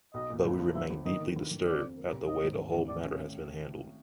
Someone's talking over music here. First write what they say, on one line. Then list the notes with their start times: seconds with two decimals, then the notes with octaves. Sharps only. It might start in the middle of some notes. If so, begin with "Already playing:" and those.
But we remain deeply disturbed at the way the whole matter has been handled.
0.14 B1 D#5
0.30 A#2
0.45 G1
0.60 F3
0.75 G1 E5
0.90 G1
1.05 D#3 D#5
1.21 D#3
1.36 G1
1.51 G1
1.66 F2 D5
1.82 F2
1.97 A#3
2.13 C2
2.28 D#3 D#5
2.43 G#2
2.59 G#1
2.74 G#1
2.89 A2 D5
3.04 C#4